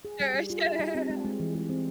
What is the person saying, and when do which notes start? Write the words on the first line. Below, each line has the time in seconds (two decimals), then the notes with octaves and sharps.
Sure, sure.
0.05 G#4
0.20 G3
0.34 G3
0.50 F4
0.65 G#4
0.79 G3
0.95 C4
1.10 G#3
1.25 G#3
1.40 E3
1.55 G#3
1.69 C4